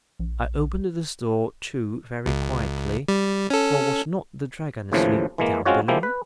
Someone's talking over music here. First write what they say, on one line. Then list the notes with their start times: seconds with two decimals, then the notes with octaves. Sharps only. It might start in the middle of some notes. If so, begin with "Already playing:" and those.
I opened this door too very quietly, for was not the dragon asleep down below?
0.19 A#1
2.26 C#2
3.09 G3
3.50 C#4 A4
4.92 D#2 A2 C#3 E3 F3
5.38 E3 G#3 A#3
5.65 G#3 C4 C#4 F4 F#4 C#5
5.88 F3 G#3 A#3 E4 G4
6.03 B4